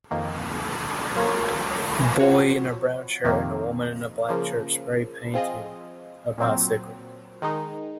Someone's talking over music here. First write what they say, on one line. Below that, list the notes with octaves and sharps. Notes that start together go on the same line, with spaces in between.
Boy in a brown shirt and woman in a black shirt spray painting a bicycle.
F2 D#3 A#3
F#3 A#3 F4 A#4 C#5
F3 C4 F#4 C#5
F2 C3 D#3 A#3
C#3 F3 A#3
F3 C4 F4 G#4 D#5
A#2 F#3 C4
D#3 G#3 D#4